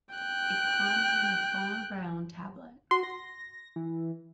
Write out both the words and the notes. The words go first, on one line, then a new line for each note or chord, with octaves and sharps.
It comes in a fawn brown tablet.
G5 F#6
F#4 C6
A#6
E3